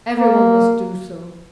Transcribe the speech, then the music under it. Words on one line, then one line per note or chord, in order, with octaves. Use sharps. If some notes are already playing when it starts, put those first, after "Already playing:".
Every one must do so.
A#3